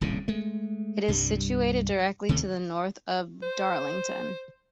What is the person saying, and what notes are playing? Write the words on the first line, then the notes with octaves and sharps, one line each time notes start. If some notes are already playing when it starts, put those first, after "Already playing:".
It is situated directly to the north of Darlington.
D#1 C2 A2 C#3
G#3 A3
C2 G2 G3
D2 C3 D#3 A3
C5